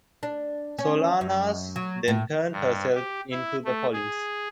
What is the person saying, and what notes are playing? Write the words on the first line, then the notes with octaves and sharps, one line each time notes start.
Solanas then turned herself in to the police.
D4
C#4
F#2
F#3
A2
G2
G4
E4
A3
G#4